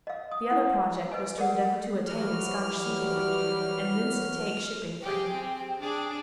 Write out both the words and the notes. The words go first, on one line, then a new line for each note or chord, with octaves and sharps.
The other project was to endeavour to attain a Scottish seaport, and thence to take shipping for England.
D#5 F5
D#6
E4 F#5
B4 D#5 G#5
G#4 A#4 D5 F#5
E3 F#3 G3 F#4 F6
G4 G#4 G5
C4
D4 G#4 D5